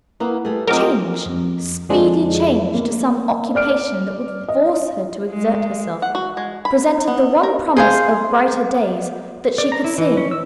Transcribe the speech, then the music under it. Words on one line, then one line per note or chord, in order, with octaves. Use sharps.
Change, speedy change, to some occupation that would force her to exert herself, presented the one promise of brighter days that she could see.
A#3 B3 E4 A#5
G3 A3 G#4
F#3 C4 F4 G#4 A#4 D5 D#5 D6
F2
F2 D3 F3 G#3 D4
A#3
D5 F6 D7
D#5
G#3
F#5
F#4
G#3
B5
B3
A#4
G#4 C5 F5
D5
A#5
E4
E3
C#4
E6